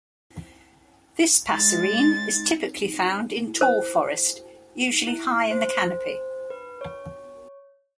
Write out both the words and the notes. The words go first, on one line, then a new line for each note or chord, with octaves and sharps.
This passerine is typically found in tall forest, usually high in the canopy.
G#3 A6
C5
E4
C5
B4
C#5